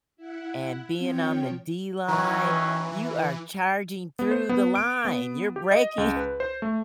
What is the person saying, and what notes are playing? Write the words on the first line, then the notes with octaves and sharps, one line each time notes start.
and being on the D line, you are charging through the line, you're breaking
E4 F#5
F3 C4 C#5 G5
D#2 E3 F#3 C#4 A#5 C#6
B3
C5
B3
D7
B3
G4
D#5
C#2
B4
C5
A3